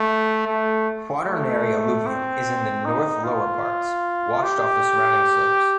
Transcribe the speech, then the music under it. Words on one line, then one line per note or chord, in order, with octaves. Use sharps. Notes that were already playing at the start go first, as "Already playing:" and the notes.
Quaternary alluvium is in the north lower parts, washed off the surrounding slopes.
Already playing: A3
A3
A3
C4
D#4
F4
G4